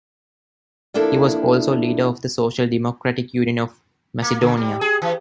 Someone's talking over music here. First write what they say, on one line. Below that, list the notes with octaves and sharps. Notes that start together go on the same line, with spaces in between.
He was also leader of the Social Democratic Union of Macedonia.
F3 A#3 D4 E4 A4
A#3
D3
G3
G#4
E3